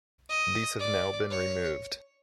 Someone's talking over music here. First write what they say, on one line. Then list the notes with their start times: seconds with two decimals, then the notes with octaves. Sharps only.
These have now been removed.
0.29 D#5
0.80 D5
1.31 C#5